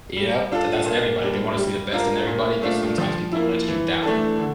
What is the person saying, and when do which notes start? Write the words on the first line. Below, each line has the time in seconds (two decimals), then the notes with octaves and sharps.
Yep, tha that's everybody, they wanna see the best in everybody, but sometimes people let you down.
0.17 G3
0.52 D4 F4 A4
0.86 A#2
1.22 G3 D4
1.57 G3
1.92 D4 F4 A#4
2.27 A#2
2.62 A3 D4 F4
2.98 F3
3.32 A#3 E4
3.68 E3
4.02 A3 D4 A4
4.38 D3